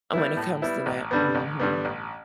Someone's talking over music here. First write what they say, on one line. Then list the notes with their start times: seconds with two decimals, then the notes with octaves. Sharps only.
and when it comes to that, mhm.
0.13 G3 B3 E4
0.37 A2
0.62 G3 B3 E4
0.86 A1
1.11 G2 D3 G3 B3
1.35 A1
1.60 G2 D3 G3 B3
1.85 A1